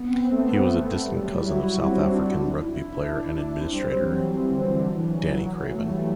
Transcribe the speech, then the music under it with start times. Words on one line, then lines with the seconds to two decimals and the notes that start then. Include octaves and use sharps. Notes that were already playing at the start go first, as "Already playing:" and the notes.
He was a distant cousin of South African rugby player and administrator Danie Craven.
Already playing: B3
0.08 C4
0.31 A3
0.40 B3
1.03 G3
1.19 F#3
1.35 E4
1.51 F#4
1.66 E4
1.86 C4
1.98 D4
2.62 E4
2.93 D4
3.56 C4
3.72 G3
3.88 F#3
4.03 E3
4.19 E3
4.51 D3
4.94 E3
5.04 F#3
5.74 A3
5.86 G3
5.97 F#3